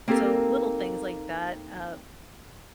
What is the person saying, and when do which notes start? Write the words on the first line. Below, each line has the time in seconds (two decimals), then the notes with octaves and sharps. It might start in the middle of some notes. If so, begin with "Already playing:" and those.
so, little things like that, uh,
0.08 A#3 C4 D#4 G4 A4 A#4